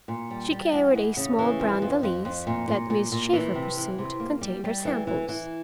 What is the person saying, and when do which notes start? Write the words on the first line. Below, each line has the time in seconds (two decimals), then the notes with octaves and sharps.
She carried a small brown valise that Miss Shaeffer presumed contained her samples.
0.08 A#2
0.30 G3
0.51 G3
0.73 E2
0.95 E2
1.17 C#3
1.39 E3
1.60 F2
1.82 F2
2.03 F2
2.25 F2
2.47 A#2
2.68 A#2
2.90 A#2
3.12 A#2
3.33 E3
3.55 C3
3.77 E3
3.98 C3
4.20 A#3
4.41 G3
4.64 G3
4.85 E3
5.07 E3
5.28 E3